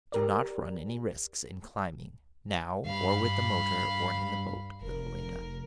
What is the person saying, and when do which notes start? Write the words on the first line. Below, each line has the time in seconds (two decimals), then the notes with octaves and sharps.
Do not run any risks in climbing, now, or with the motor, or in the boat ... little Leda ...'
0.12 G4 A#4 D5
2.86 G2 F5 B5
4.81 F1 A#4